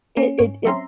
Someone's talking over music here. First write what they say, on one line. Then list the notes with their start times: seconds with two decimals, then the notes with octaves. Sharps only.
it it it
0.17 A#3 C#4
0.38 G#2 C#5 D7
0.65 F#3 C4 C#4 E5 A#5 C6